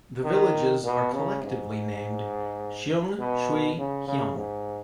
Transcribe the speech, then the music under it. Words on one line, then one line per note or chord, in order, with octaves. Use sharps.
The villages are collectively named "Sheung Shui Heung".
D#3
B2
C#3
G#2
B2
C#3
C#3
G#2